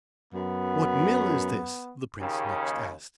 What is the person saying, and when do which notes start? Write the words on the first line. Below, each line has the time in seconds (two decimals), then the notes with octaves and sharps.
"What mill is this?" the prince next asked.
0.34 F#2 B3
2.20 D#2 C#3